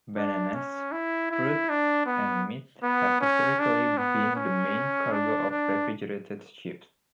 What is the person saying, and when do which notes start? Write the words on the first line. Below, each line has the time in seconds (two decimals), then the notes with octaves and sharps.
Bananas, fruit and meat have historically been the main cargo of refrigerated ships.
0.16 D4
0.54 C#4
0.92 E4
1.31 E4
1.69 D4
2.06 B3
2.83 B3
3.21 C#4
3.59 D4
3.98 B3
4.36 C#4
5.12 D4
5.50 D4